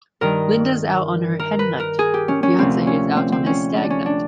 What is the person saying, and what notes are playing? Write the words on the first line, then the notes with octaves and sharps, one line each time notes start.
Linda's out on her hen night, her fiance is out on his stag night.
G2 D#3 A#4
A#4
B4
A#4
G#4
G4
C#4
C#4
D2 C3 F3 C4
C#4
C4
C4
C#4
D4
C#4
D4